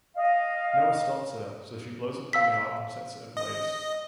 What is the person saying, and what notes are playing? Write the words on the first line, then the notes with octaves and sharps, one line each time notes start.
Noah stops her, so she blows upon the ark and sets it ablaze.
D#5 F5
F5 E6 B6
D#5